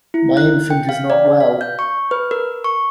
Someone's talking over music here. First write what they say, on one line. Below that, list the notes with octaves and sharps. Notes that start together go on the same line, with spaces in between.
My infant is not well.
E4
F#6
G5
F5
D5
F5
G6
C#6
B4
A#4
C#6